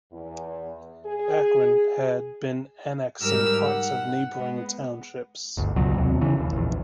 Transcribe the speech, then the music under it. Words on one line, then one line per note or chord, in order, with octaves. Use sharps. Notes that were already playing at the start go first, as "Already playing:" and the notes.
Akron had been annexing parts of neighboring townships.
E2
G#4
G#2 G3 G4 A#4 E6 F6
F#5
G#3 B3
G1 D2
C#2 B2 F#3
D#2 C3
C#3 E3
D#2
A#1 E2